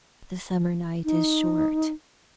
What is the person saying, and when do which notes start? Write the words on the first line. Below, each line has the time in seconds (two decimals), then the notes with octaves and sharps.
The summer night is short.
1.05 D#4